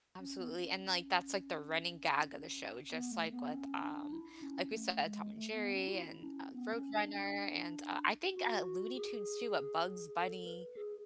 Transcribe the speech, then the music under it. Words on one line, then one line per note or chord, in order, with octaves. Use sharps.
Absolutely, and, like, that's, like, the running gag of the show, just like with, um like we said, Tom and Jerry and, uh, Roadrunner and, uh, I think, uh, Looney Tunes too, but Bugs Bunny,
C#4
B3
C#4
B3
A3
B3
C#4
D4
E4
C#4
A3
G#3
A3
B3
C#4
F#4
E4
C#4
B3
C#4
D4
F#4
G#4
A4
B4
G#4